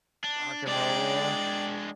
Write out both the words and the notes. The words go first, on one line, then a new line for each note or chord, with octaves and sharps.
Rock and Roll,
D4
G#3 D4 D5 G5